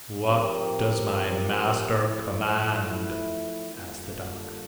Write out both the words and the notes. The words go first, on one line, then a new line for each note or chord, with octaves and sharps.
"What does my master command?" asked the dog.
F3 C4 G4 A#4
F3 A3 E4
D3 G3 A#3 F4 A4